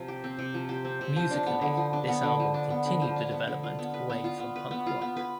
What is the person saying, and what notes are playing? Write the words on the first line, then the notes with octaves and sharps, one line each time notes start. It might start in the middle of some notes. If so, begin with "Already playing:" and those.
Musically this album continued the development away from punk rock.
Already playing: C3 F3
G4
C4
C3
F3
G4
C4
C3
F3
D4
B3
D3
F3
D4
B3
D3
F3
D4
B3
D3
F3
D4
B3
D3
F4
B3
B4
B3
F4
B3
B4
B3
F4
B3
B4